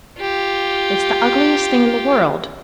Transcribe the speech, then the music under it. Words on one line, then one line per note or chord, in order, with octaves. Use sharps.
It's the ugliest thing in the world.
F4 G4